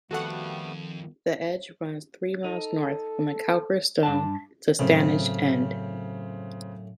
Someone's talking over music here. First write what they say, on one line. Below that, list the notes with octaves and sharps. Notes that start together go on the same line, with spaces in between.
The edge runs three miles north from the Cowper Stone to Stanage End.
F2 D#3 G3 A3 B3 F#4 A4 F#5
D#4 A4
G2 D4 A5
F#2 A2 C#3 C4